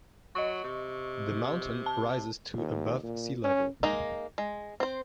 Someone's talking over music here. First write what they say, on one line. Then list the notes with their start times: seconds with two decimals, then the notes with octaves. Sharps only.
The mountain rises to above sea level.
0.35 F#3 D#5 C#6
0.64 C3
1.86 A5
2.57 D#2
3.03 A#2
3.44 C#4
3.83 G#3 A#3 D#4
4.38 G#3
4.80 C4 C5